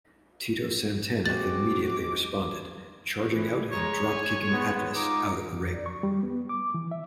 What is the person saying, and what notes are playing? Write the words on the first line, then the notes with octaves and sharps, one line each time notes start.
Tito Santana immediately responded, charging out and drop-kicking Atlas out of the ring.
G#3 C4 F#4 D6 A6
E3
G#3 C#5 A#5
G#5
G#3 B3
D#4 F4 D6
F2
D5
C#6
G3
B3
D6
E3
E5